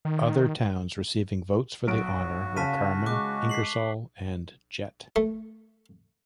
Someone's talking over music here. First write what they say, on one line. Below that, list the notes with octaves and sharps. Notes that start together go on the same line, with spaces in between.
Other towns receiving votes for the honor were Carmen, Ingersoll, and Jet.
D#3
B1 F#4 D7
C#3 F5 A5 B6 D#7
G#3 C#6 D6 F#6
B6 C7 F#7
A3